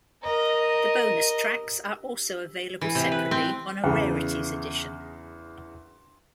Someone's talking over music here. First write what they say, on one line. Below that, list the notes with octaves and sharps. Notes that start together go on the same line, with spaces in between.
The bonus tracks are also available separately on a "Rarities Edition".
A#4 D#5
E3
C3
B4
C4
E2 C#3